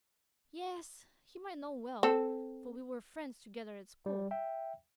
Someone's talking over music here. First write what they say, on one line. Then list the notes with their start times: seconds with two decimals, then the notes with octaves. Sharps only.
"Yes, him I know well, for we were friends together at school."
2.03 C4 A4
4.06 G3
4.31 E5 G5